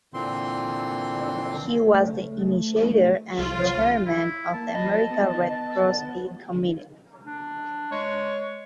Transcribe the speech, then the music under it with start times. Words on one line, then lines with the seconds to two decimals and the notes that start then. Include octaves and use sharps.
He was the initiator and chairman of the American Red Cross Aid Committee.
0.14 A#2 D3 E3 C4 C6
1.88 A3
3.38 C2 F4
4.06 E4
4.54 A#3 A5
4.75 D#5 B5
5.10 B3
7.26 D4
7.92 G#3 C#5